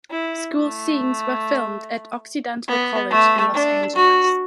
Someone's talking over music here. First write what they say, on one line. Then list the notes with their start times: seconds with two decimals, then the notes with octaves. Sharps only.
School scenes were filmed at Occidental College in Los Angeles.
0.10 E4
0.54 A3
2.68 B3
3.10 A3
3.54 D4
3.96 F#4